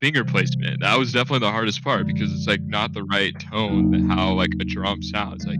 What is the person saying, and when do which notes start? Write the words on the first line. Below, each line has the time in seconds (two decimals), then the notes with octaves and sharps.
finger placement, that was definitely the hardest part, because it's, like, not the right tone that how, like, a drum sounds, like,
0.20 C3 E3 G3
1.93 F#2 D3 F3 G#3
3.67 E2 C#3 F#3 A#3 D#4
5.40 D3 F3 G#3